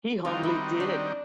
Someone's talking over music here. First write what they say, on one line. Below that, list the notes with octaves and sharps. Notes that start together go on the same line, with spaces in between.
He humbly did.
D#3 G3 C4 D#4 F4 F#4
E4
D4